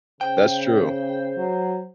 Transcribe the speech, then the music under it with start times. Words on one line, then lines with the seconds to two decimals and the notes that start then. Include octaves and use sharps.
That's true.
0.21 C#3 C5 G5
1.37 F#3